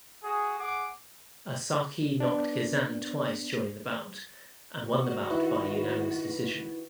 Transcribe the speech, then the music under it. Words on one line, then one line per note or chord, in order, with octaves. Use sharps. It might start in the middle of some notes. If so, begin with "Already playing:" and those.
Osaki knocked Kazane twice during the bout and won the bout by unanimous decision.
F#4 G#4
G#4 F#5 D6
B3 D4
D#3 F#4
D#4 E4 B4